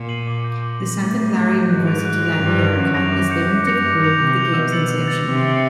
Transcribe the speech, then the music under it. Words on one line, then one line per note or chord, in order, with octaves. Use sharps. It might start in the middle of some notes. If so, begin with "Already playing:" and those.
The Santa Clara University Library Archive has definitive proof of the games inception.
Already playing: A#2
C7 D#7 F#7
D6
G6 A#6
D6
G6 A#6
A2 D6
G6 A#6
D6
G6 A#6
G#2 F#6
A#6 D7 F7
F#6
A#6 D7 F7
G2 F#6
A#6 D7 F7
F#2 F#6
A#6 D7 F7
D6
G6 A#6 C#7 F7
F#2 D6
G6 A#6 C#7 F7
G2 D6
G6 A#6 C#7 F7
C3 D6
G6 A#6 C#7 F7
B2 E6
A6 C#7 F#7
E6
A6 C#7 F#7
C3 E6
A6 C#7 F#7